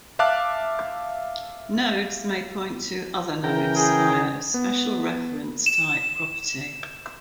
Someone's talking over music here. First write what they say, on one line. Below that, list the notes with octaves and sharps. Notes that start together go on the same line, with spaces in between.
Nodes may point to other nodes via a special reference type property.
E5 F5 A5 D6 F#6
C#3 E3 A#4 G5
G#4
B3
E7